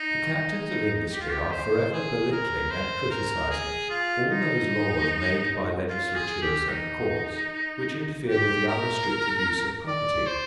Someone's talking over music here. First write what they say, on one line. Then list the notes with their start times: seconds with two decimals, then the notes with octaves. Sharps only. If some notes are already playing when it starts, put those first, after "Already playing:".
The captains of industry are forever belittling and criticising all those laws made by legislatures and courts which interfere with the unrestricted use of property.
Already playing: D#4
0.33 D#4
1.12 G4
1.20 F4
1.30 G4
1.51 C5
1.92 G#4
2.32 A#4
2.70 C5
3.10 A#4
3.50 G#4
3.90 F4
4.31 D#4
5.89 F4
6.15 G#4
6.42 G4
6.69 D#4
8.28 G4
8.67 A#4
9.87 D5
10.26 C5